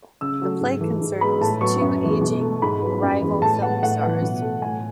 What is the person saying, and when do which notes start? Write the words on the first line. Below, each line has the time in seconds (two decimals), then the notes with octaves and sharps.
The play concerns two aging rival film stars.
0.21 C#3 E6
0.42 F#3 A3
0.61 G#2
0.81 E3 A3
1.01 G#2
1.21 G#3 B3 B5
1.41 A2 A5
1.61 F#3 B3 C#6
1.81 F#2
2.02 E3 G#3 B3
2.21 B2
2.41 A3
2.62 G#2 B5
2.82 F#3 B3
3.02 F#2
3.22 E3 G#3 B3
3.42 A2 A5
3.62 G#3 B3 F#5
3.83 A2 F#5
4.03 E3 B3
4.22 B2
4.42 A3
4.62 A2 G#5